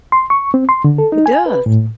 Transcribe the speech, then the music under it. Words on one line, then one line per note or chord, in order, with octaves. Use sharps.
It does.
C6
C#6
C4
C6
D3
A4
D#4
G#5
B4
A2